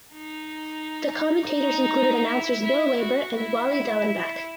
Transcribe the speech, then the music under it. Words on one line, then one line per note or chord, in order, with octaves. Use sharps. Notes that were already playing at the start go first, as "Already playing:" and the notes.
The commentators included announcers Bill Weber and Wally Dallenbach.
D#4
D#4
E4
E4
F#4
E4
E4